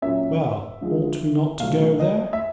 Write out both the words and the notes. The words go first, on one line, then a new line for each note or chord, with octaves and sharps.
"Well, ought we not to go there?"
A#2 F#3 A#3 C#4 E5
D3 F3 G#3
B2 F#3 A3 D4 F5
D#5
E5